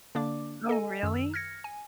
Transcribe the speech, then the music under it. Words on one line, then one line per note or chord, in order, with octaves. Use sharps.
Oh, really?
D3 A#3 D4 D5 D6
A4 D#5 G#5
F#2 D#3 E6
F6 G#6 A#6 C#7
G#5